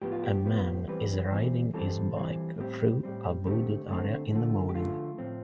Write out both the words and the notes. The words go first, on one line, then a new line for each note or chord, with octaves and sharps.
A man is riding his bike through a wooded area in the morning.
A2 F3 B3 G4
F4
G4
A2 F3 B3
E3 G3 C4 B4
E3 G3 C4
E3 G3 C4 A4
E3 G3 C4
A2 G3 C4 G4
A2 G3 C4
D3 A3 C4 G4
D3 A3 C4
D3 F3 A3
G4
D3 F3 A3 F4
A2 F3 C4